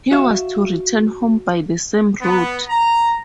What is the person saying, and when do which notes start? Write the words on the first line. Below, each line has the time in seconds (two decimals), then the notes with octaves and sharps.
He was to return home by the same route.
0.11 F#4 E5 F5
2.22 B3
2.68 A#5